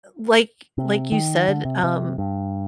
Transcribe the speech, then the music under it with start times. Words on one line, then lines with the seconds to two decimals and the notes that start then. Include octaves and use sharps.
uh, like like you said, um,
0.78 C3
1.12 D#3
1.48 D3
1.65 C3
1.83 C3
2.18 G2